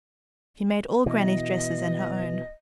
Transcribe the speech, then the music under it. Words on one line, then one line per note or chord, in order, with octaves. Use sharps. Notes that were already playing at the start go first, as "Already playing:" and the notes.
She made all grannie's dresses and her own.
B2 E3 D#5